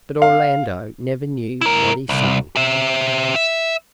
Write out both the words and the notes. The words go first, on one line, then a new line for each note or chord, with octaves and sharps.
But Orlando never knew what he sang.
F5
E4 A#4
C2
G4 E5
E5